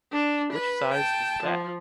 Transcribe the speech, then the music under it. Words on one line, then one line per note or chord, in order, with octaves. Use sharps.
Which size is that?
D4
B4
G5 A5
F3